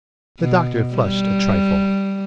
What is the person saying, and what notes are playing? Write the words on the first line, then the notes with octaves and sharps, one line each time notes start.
The Doctor flushed a trifle.
B2
G3